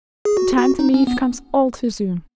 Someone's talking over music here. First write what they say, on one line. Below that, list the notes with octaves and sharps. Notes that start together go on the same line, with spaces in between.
The time to leave comes all too soon.
G#4
F#4
F#4
D#4
C#4
B3